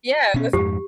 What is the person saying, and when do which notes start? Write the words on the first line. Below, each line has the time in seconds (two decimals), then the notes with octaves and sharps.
Yeah, it was mm,
0.34 B2 C#4
0.53 F2 G#2 G4